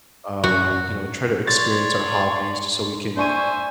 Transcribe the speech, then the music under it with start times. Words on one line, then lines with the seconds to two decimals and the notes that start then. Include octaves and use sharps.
um, you know, try to experience our hobbies just so we can,
0.44 F#2 F#4
1.47 C#5 D5 C6 A6
3.17 D4 C5 E5 G#5 C#6 D#7